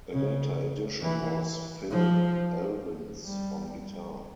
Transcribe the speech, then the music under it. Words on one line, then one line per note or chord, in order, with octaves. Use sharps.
A later addition was Phil Elvins on guitar.
C#3
E3
F3
G3